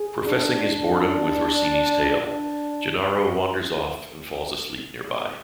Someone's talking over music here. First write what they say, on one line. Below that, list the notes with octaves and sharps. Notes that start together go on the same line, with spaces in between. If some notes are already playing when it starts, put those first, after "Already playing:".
Professing his boredom with Orsini's tale Gennaro wanders off and falls asleep nearby.
Already playing: G#4
D4
D4
D4